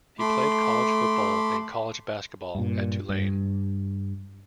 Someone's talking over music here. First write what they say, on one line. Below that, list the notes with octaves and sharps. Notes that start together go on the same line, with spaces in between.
He played college football and college basketball at Tulane.
A3 B5 C6 D6
G2 A#2
G2